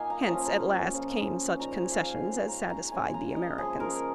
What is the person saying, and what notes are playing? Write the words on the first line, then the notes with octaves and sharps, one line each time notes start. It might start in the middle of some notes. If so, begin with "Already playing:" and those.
Hence, at last, came such concessions as satisfied the Americans.
Already playing: D#3 A#3 F4 D#5 F5 G#5
A#5
F3 A#3 C#4 F4 A#5
C#3 F3 C#4 F4
A#2 F3 G#3 D#4 A#5
G#5
F5
G#5
D#3 G#3 C#4
A#5
A#5
C#3 A#3 F4 G#5
A#5
D#5
C#3 F3 G#3 G#4
A#4